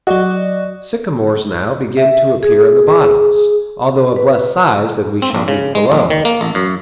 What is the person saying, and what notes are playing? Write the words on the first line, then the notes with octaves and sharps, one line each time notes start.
Sycamores now begin to appear in the bottoms, although of less size than we shall meet below.
F#3 F#4 D5 D#5
E5
G#4
B4
C4
A#1
C#3
G#3
A#1
D#3
A#3
A1
F#2